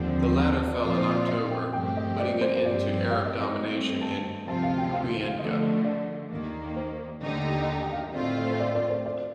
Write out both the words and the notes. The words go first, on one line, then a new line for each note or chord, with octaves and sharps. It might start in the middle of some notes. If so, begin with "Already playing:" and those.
The latter fell in October, putting an end to Arab domination in Cuenca.
Already playing: D#2 D3 F3 C4
A#5
A5
D5
A#2 F3 C4 F4 D#5
C5
D5
D#5
G5
G2 F3 A3 C4 G4 G5
D#5
D5
C5
C5
G2 F3 C4 G4 D5
F5
D#5
D#5
G2 D#3 A3 C4
A5
D2 C3 F3 C4 F4 A5
F5
G5
F5
F5
D3 F3 A3 D#5
D5
D#2 D#3 A#3
C5
D#2 D3 A3 D#4 G4
G5
F5
D#5
A2 A3 C4 F4 D5
D#5
C5
D5
D5
C5
D5